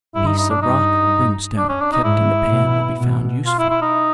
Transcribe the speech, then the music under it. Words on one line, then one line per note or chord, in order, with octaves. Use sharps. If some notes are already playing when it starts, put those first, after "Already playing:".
A piece of rock brimstone kept in the pan will be found useful.
G2 E4
D#4
D#4
D4
G2 D#4
D4
C#4
D4
D#4
G#2 E4
B2
B2
F4
E4
E4
D#4